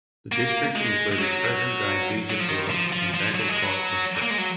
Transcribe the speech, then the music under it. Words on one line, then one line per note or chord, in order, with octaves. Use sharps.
The district included present-day Bijapur and Bagalkot districts.
A#3
G#3
G#3
F#3
F#3
F3
D#3
F3
F3
F3
F#3
G#3
F#3
A#3
G#3
F#3